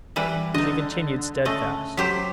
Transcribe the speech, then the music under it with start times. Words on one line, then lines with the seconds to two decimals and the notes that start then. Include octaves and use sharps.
She continued steadfast.
0.16 E3 G3 B4
0.54 D3 D#4 D#5
1.45 C#3 A3 D#5
1.97 F#3 G4 C5 B6